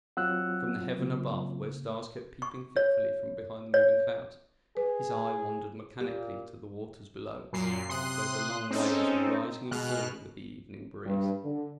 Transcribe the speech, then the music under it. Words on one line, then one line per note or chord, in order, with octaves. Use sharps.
From the heaven above, where stars kept peeping fitfully from behind the moving clouds, his eye wandered mechanically to the waters below, where the long waves were rising and falling with the evening breeze.
F#3 C4 F4 F#5 E6 F#6
C#3 A#3
C#6
C#5
C#5
G#4 B4
A#2 G4
F#2 A#2 C7
C3 C6 D#6 F#6
G#3 C4 C#4 D#4 A4
B2 G#3 F6 F#6
G2
D3